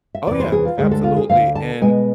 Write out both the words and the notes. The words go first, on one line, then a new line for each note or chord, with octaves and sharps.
Oh, yeah. Absolutely, and,
E5
E2 C3 E3 D5
C5
G#4
F4
D2 D3 G#3 G#4
A4
F4
G#4
D2 D3 F3 A3 F5
A5
B2 G#3 B3 G#5